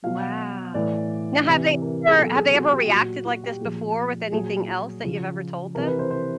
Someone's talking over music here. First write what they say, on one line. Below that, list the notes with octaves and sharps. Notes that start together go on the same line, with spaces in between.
Wow. Now have they ever have they ever reacted like this before with anything else that you've ever told them?
B2 F#3 F5
F#5
A2 E3 D5
C3 E3
A#4
G#4
B2 F#3 A4
G#4
F#4
G4
A#2 F#3 F#4
F#4
G4
A#2 F3 G#4
A#2 F#3 G#4
F#4
C#3 F3 F4
C3 E3 A#4
B4
C5
C5